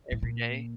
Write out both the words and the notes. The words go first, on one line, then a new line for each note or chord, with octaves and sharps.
every day?
A2
A#2